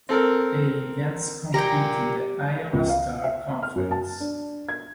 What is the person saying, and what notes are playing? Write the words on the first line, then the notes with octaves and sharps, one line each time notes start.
The Indians compete in the Iowa Star Conference.
C4 A4 A#4
G4 A#4 D5 G5 A#5
C#2
F5
E5
F6
F#2
A5
D4
G#6